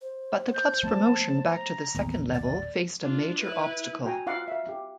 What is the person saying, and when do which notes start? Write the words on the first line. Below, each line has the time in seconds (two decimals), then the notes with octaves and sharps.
But the club's promotion back to the second level faced a major obstacle.
0.01 C5
0.54 G6
0.83 F3 A3 B3 A5
1.47 A#5
1.95 D#1 A1 D#2 B3
2.34 D5 A6
3.02 D4 F4
3.42 E4 B4
4.05 F#4 G5 G#5 A#5
4.27 F4 F5 F#5 D6
4.48 E5 F5
4.69 G4